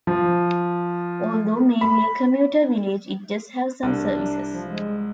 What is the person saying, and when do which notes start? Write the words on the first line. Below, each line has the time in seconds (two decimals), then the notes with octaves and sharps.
Although mainly a commuter village it does have some services.
0.07 F3
1.81 B5
3.83 C2 D4
4.53 F3
4.68 G#3